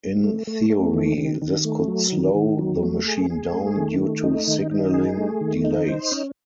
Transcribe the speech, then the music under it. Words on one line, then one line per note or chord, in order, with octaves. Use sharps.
In theory, this could slow the machine down due to signalling delays.
A3
A3
A3
D#3
D#3
D#3
A3
F#3
D#3
D#3
F#3
A3
G#4
G#4
A3
D#3
A3
D#4
D#3
D#4
G#4
A3
D#3
D#4
C5
C#4